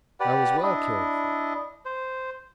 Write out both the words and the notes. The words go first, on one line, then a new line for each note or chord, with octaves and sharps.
I was well cared for.
G4 B4 D5 F#5
D4 E4 D#5
C5